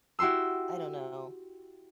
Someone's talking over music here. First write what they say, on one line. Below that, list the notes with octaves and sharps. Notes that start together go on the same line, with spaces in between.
I don't know.
E4 F#4 G4 C6 E6